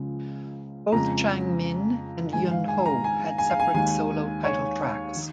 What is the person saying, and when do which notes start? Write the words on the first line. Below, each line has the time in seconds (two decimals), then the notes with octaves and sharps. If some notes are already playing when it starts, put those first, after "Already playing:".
Both Changmin and Yunho had separate solo title tracks.
Already playing: C#2 C#3 F3 G#3
0.92 F2 C#3 G#3 A#5
2.33 G#2 D#3 G#3 G#5
2.51 F5
2.68 G#5
2.86 A#5
3.04 G#5
3.38 G#5
3.50 F5
3.60 G#5
3.74 D#2 D#3 G#3 G#5
4.44 C#5
5.16 D#3